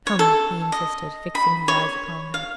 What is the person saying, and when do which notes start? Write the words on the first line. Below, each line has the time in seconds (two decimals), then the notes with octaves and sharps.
"Come," he insisted, fixing his eyes upon her.
0.07 C#5
0.19 A4
0.72 D#5
1.35 B5
1.68 C#5
2.34 F5